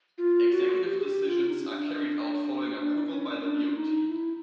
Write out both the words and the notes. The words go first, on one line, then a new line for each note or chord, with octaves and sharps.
Executive decisions are carried out following approval by the BoT.
F4
F#4
G4
G#4
G4
F4
D#4
D4
C#4
D4
D4
D4
C#4
D4
D4
D#4
E4